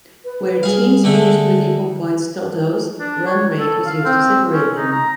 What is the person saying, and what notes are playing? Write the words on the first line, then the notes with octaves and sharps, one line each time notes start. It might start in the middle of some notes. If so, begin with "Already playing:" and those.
Where teams finished with equal points totals, run rate was used to separate them.
B4
G3 G#4 F5
D3 G#3 A3
D4
C#5
A4
F5
C4
C#4
D#4
A#5